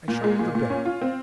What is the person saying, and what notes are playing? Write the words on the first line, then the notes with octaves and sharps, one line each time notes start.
I show you the bed.
A#2
G#3
A#2
A#2
C#4
F4
C4